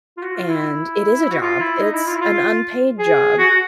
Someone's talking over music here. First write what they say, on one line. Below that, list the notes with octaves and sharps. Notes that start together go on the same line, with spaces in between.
And it is a job. It's an unpaid job.
F4
F#4
F4
E4
F#4
F4
E4
D#4
E4
F4
E4
F4
G#4
F#4
F#4